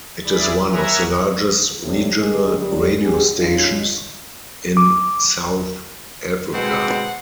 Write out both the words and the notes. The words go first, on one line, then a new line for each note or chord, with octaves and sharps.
It is one of the largest regional radio stations in South Africa.
E4 G#4 D5 B5
A#4 C#5 E5 F#5 G#5 A#5
F2 A2 C3 C4 D4
D#3 D#4 G#4
F#2 G3
G3 B3 G4 G#4
F#3 C#4 D#4 F4
D6
B2 G#3 C4 F#5